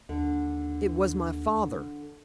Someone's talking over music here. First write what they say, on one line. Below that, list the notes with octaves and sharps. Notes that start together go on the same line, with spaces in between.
It was my father.
D#2 D3